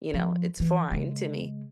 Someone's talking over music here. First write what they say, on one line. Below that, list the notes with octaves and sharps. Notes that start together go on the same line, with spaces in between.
you know it's foreign to me,
F3
E3
C#3 G#3